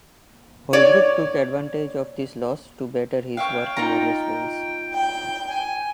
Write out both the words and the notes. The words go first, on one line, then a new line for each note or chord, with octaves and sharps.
Holbrook took advantage of this loss to better his work in various ways.
C#5 D5
C#5 E5 F5 G5
D#4 F4 A#5
G5
G#5